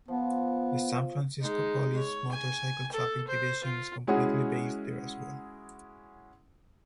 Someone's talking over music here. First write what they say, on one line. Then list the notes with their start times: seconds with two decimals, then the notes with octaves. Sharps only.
The San Francisco Police motorcycle traffic division is completely based there as well.
0.08 F3 B3
1.41 G#3 D#4
1.98 C#5
2.32 G#5
2.93 A4
3.28 C5
3.65 F4
4.07 G#3 C#4 E4 F#4 G#4 F#5